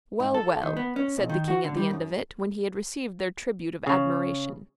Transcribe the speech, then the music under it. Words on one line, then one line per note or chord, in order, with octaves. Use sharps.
"Well, well," said the King at the end of it, when he had received their tribute of admiration.
G#2
A4
D#3
B3
C#4
B1
D#3
F#4
D3
G3
F#2
C#3